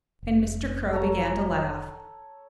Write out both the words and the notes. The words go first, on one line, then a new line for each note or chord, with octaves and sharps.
And Mr. Crow began to laugh.
F1
A4 C#5 A#5